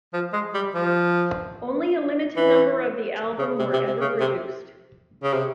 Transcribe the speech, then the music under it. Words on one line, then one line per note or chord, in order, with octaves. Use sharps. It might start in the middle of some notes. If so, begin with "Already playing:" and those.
Only a limited number of the album were ever produced.
F3
G#3
G3
F3
E3
C#3
C3
C3
C3
C#3
C3
C#3
C3